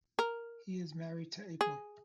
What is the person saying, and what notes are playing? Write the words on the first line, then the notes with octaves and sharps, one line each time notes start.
He is married to Apryl.
A#4
G#4